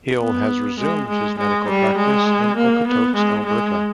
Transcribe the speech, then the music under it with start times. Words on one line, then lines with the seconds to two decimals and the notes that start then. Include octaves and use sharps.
Hill has resumed his medical practice in Okotoks, Alberta.
0.21 B3
0.80 G#3
1.08 G#3
1.38 G#3
1.69 G3
1.97 G#3
2.57 A#3
2.87 B3
3.16 G#3
3.46 G#3